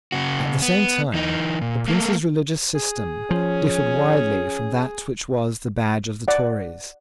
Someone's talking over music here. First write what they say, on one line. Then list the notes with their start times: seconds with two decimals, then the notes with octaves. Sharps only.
At the same time the Prince's religious system differed widely from that which was the badge of the Tories.
0.12 C#3 F#4
0.62 B3
1.14 E3 D#4
1.62 A#2
1.88 A3 A#3
2.75 G#4
3.31 F3 C#4
6.28 D5 F#5